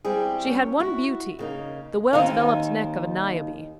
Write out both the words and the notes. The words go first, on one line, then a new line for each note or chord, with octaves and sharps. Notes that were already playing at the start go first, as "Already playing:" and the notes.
She had one beauty--the well-developed neck of a Niobe.
G3 C4 E4 G#4
C#4
E4 F#4
C#3 A#3 D#4
D#2 D#3 C4 D#4 F5